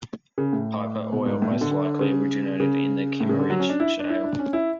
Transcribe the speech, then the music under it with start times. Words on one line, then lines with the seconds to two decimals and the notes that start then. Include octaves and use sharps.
Piper oil most likely originated in the Kimmeridge Shale.
0.38 C#3
0.53 A2
1.12 B2
1.26 G#2
1.42 A2
1.51 B2
1.61 D3
1.71 D3
2.01 C#3
2.60 C#3
3.20 A2
3.29 C#3
3.39 D3
3.50 F#3
3.60 C#4
3.69 D4
3.80 E4
3.99 D4
4.10 E4
4.24 D4
4.39 C#4
4.53 E4